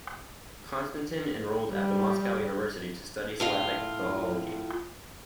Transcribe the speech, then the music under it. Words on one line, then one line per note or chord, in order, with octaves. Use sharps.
Konstantin enrolled at the Moscow University to study Slavic philology.
G3
A2 F4 F5